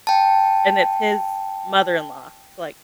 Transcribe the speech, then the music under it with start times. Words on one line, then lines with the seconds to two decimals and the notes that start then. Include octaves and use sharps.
and it's his mother-in-law, so, like
0.07 G5 A5